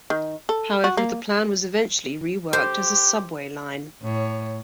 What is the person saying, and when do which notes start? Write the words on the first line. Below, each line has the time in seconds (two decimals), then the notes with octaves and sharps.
However, the plan was eventually reworked as a subway line.
0.10 D#3
0.49 A4
0.84 F#4
0.97 A#3
2.53 G4 C5
4.02 A2 C#5